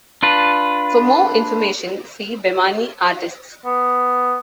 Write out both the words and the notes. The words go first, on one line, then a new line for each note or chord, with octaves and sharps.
For more information, see Bemani artists.
D4 F4 B4
B3